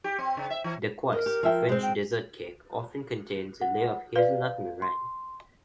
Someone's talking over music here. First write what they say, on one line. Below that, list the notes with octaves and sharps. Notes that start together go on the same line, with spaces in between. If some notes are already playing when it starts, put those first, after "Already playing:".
"Dacquoise", a French dessert cake, often contains a layer of hazelnut meringue.
G4
C4
C#3
E5
E3
A#4 D#5
G4
F3 E5 G5
G#3 C4 C5
G5
F#5
B4 D5 F5
C6